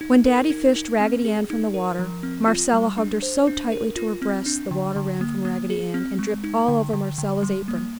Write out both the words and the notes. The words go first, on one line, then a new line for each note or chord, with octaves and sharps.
When Daddy fished Raggedy Ann from the water, Marcella hugged her so tightly to her breast the water ran from Raggedy Ann and dripped all over Marcella's apron.
D#4
A#4
D#4
D#4
C4
G#4
D#4
A#4
F3
C4
F4
G3
D4
C5
D4
A#4
F4
C4
D4
D3
D3
A#3
A#3
G#4
C4
G#3
D#4
D3
D3
D3
G3
A#3